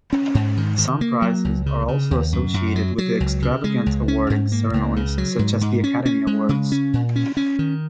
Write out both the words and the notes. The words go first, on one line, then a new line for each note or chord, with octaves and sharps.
Some prizes are also associated with extravagant awarding ceremonies, such as the Academy Awards.
C#4
G#2
D#3
D#3
A#3
F#3
C#2
C#3
C#3
D#2
F#2
F#2
F#3
F#3
C#2
C#3
G#3
C#2
C#4
G#2
A#3
C#2
C#3
F#3
G#2
G#2
C#4
C#4
G#3
C#3
C#4
A#2
C#4
C#4
D#3